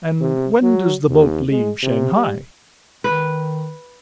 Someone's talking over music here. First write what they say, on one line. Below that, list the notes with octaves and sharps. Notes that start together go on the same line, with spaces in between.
"And when does the boat leave Shanghai?"
C3
F#3
D#2
G#3
C3
G3
D#3 B4